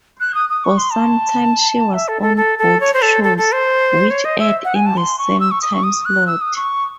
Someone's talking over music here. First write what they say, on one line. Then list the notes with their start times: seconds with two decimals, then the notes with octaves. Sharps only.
For some time she was on both shows, which aired in the same timeslot.
0.20 F#6
0.34 D#6
0.49 D#6
0.64 C#6
0.78 C6
0.93 A5
1.94 E5
2.08 A4
2.22 A4
2.37 A4
2.59 A4
2.80 C#5
2.94 C5
3.02 A4
3.24 A4
3.38 A4
3.52 C5
4.10 C#5
4.25 D#5
4.39 E5
4.65 F#5
4.75 G#5
4.86 A5
4.97 C6
5.18 C#6
5.40 E6
5.51 C#6
5.62 D#6
5.73 C#6
5.84 D#6
6.05 F#6
6.27 E6
6.41 D#6
6.56 C#6